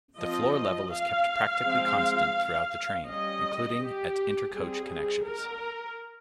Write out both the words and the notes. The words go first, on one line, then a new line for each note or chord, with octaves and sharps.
The floor level is kept practically constant throughout the train, including at inter-coach connections.
F3 C4 D#5
F5
F3 G#3 C4
G3 C#4 D#5
G4
G3 C4 G#4
A#4